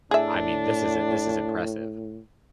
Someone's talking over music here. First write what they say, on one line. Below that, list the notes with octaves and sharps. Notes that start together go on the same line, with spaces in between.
I mean, this is i this is impressive.
A2 D4 G#4 E5